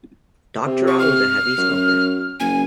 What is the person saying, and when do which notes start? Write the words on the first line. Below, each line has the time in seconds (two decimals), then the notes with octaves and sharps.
Doctorow was a heavy smoker.
0.66 C3
0.87 C#6
0.99 F6
1.58 F#2
2.40 F#1 G#5